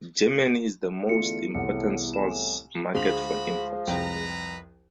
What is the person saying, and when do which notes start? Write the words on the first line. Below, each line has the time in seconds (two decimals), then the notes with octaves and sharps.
Germany is the most important source market for imports.
1.09 E2 D3 A3 F4 C#7
1.54 C2 A2 F#5 C#7
2.14 A2 G#5 E7
2.95 D2 F3 G#3 F#4 B5 F7
3.87 C2 F2 B4 G5 A#5